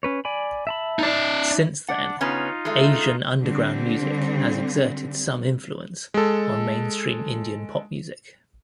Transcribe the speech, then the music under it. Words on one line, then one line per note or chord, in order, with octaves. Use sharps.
Since then, Asian underground music has exerted some influence on mainstream Indian pop music.
C#4 B4 C#5
D5 G#5 B5
E5 A5 B5
D#4 D5
D4 D5 F#5
C#3 B3 C#4 D#4 F4
G#3 A3
D3 G3 C4
G#3 A4